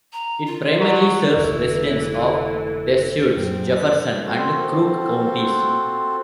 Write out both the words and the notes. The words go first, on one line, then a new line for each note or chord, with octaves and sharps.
It primarily serves residents of Deschutes, Jefferson, and Crook Counties.
A#5
F4
F#3
F1 D2 E3 A4
F#2 A#2 C4 G#4
C4 F4 F#4 A4 C5